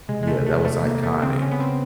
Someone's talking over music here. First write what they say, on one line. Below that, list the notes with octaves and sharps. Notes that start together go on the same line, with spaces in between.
Yeah, that was iconic.
C3 G#3
G#3
A3
A3
A3
A#3
A#3
A3
C#3 C4
C#4
B3
C4